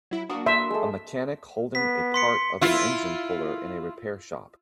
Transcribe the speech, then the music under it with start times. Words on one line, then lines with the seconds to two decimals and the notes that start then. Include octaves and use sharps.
A mechanic holding part of an engine puller in a repair shop.
0.11 F#3 E4
0.29 A#3 D4 F#4 D#6
0.46 E5 C6
0.70 G#3 A3
1.75 B3 B6
2.14 C6 B6 C#7
2.61 E4 F4